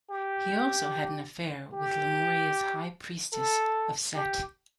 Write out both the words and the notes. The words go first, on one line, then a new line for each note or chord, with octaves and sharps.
He also had an affair with Lemuria's High Priestess of Set.
G4
G4
A4
G4